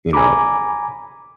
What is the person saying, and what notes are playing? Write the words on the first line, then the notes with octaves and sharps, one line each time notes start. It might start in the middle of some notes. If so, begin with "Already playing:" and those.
you know,
G#5 A#5 B5 D6